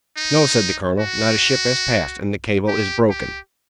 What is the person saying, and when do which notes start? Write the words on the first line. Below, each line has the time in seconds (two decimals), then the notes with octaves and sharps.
"No," said the colonel; "not a ship has passed; and the cable is broken."
0.17 D#4
1.00 F#4
2.68 G4
3.10 G4